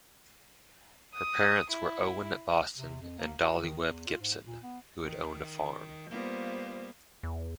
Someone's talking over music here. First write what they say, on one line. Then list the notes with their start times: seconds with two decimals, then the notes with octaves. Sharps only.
Her parents were Owen Boston and Dollie Webb Gibson who had owned a farm.
1.14 D#6
1.71 E4
2.77 C3
3.01 F2
3.18 A#3
3.41 F#4
3.59 D#3
3.78 E2
4.07 F4
4.20 G#2
4.45 A#2
4.63 B3
5.04 D#3
6.11 G3 A#3 B3 F4 C5
7.23 E2